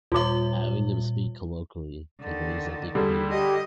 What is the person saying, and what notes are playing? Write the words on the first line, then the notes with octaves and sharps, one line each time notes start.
Having them speak colloquially conveys that they could be anyone.
D#2 A#2 G3 F4 C#5 E5 D6
D3 D#3
D3 G3 G#4
G4 D#5